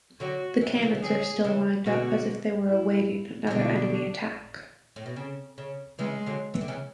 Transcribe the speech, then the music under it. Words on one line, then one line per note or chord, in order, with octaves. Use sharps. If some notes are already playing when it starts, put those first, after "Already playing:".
The cannons are still lined up, as if they were awaiting another enemy attack.
D3 F#3 F#4
E3
F#3
C#3 E3
E3
D3 F#3 G#4
C#3 E3
B2 D3 F#4
E4
E3
B2 D3 D4
A2
B2
C#3
C#3
C#3 E3 G#3
D3 F#3
E3
D3
C#3 E3